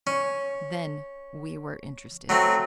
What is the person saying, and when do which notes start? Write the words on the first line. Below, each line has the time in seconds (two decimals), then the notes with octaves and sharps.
Then we were interested.
0.07 C#4
2.29 F#3 A3 C4